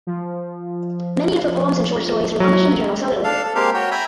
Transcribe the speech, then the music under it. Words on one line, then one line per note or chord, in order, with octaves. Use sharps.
Many of her poems and short stories were published in the journal "Southerly".
F3
F#3
D4 A4 F5
A4
G#3 A#3 C4 G4 A#4 F5
F#4 C#5 G5
E5 G5 G#5 A#5 B5